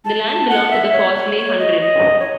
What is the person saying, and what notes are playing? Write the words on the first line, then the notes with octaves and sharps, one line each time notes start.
The land belonged to the Fawsley Hundred.
A5
A5
F#5
E5
C#5
C#5
C#5
D#5
D#5
C#5